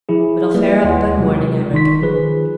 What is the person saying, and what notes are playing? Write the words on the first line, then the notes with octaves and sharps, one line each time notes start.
It'll fair up by morning, I reckon.
F3 E4 G#4
G3 A#3 F4 B4 E5
D#2 E4 C#5 F#5 C6
C3 F#3 G#3 F4
G1 D#3 D#4 C6 C#6 B6
D#3 F3 D#4 F4 G#4 B4